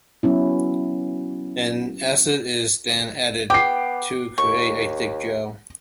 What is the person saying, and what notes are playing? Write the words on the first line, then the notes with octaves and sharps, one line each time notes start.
An acid is then added to create a thick gel.
F#3 B3 C#4 E4
B3 G5 D6 C7
D#2 C#6